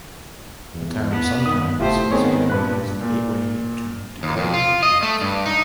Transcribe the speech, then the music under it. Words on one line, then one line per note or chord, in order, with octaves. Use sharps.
The town sometimes is billed as "The Gateway to DeGray Lake".
E2
B3
D#3 D#6
F1 A3 E4 F4 G4 C5
D#3 B3 C4 G#4 C#5
G2 A#2 B4 B5 F#6
A#2
D#2
F2
F4
D#5
A3
G2
D#4